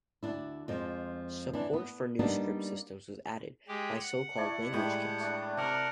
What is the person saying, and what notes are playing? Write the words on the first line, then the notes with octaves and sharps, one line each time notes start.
Support for new script systems was added by so-called Language Kits.
D2 D4 E4
F2 F3 G#3
E3 D4
B3
G3 A#3 B3 D4 D#4
G#3 G4
F#5
A3 E4 D5
A2 G3 G#3 A4
A3 D4 A4
C3 A#4 F#5 F6